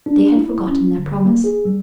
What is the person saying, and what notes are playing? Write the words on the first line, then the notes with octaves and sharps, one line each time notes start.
They had forgotten their promise.
D4
E4
C#4
D3
A#3
G#4
G3